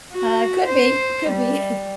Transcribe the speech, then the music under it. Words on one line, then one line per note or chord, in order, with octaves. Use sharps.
Ah, could be could be,
F#4
C5
G3